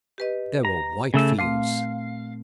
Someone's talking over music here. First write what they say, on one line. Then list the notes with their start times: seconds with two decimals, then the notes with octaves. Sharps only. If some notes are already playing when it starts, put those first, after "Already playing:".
There were white fields.
0.18 G4 B4 D#5
0.65 A#5
1.14 C#3 A3 E6
1.39 A#2 A3 C4 F5